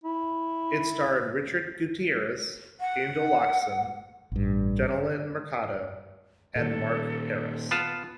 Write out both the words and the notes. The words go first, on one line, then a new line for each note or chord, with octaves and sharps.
It starred Richard Gutierrez, Angel Locsin, Jennylyn Mercado and Mark Herras.
E4
F#5
A1 G2
A#2 D#3 A4
B3 F4 A5